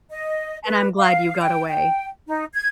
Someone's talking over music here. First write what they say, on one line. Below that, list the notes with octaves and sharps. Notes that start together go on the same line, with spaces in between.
And I'm glad you got away.
D#5
B4
F5
G5
G5
D#4
G#6